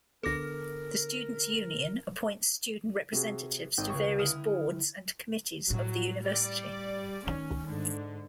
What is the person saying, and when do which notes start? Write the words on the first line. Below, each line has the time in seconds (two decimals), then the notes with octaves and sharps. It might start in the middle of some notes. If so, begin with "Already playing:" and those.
The students' union appoints student representatives to various boards and committees of the university.
0.23 D3 B3 A4 A#4 D6 A#6
3.12 C3 F#4 G#4
3.78 G#1 D#3 G5 D#6
3.90 C#2 C#3 C#6 G#6
4.19 D3 E4 D#6 F6
5.70 A2 F#3
6.26 G3 D5
7.27 D#3 A3 C#4
7.67 G#2 D3